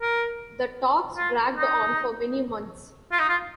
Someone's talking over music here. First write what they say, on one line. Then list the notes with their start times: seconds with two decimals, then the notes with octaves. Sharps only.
The talks dragged on for many months.
0.01 A#4
1.17 F4
1.56 D#4
3.12 F4
3.19 D#4
3.29 F4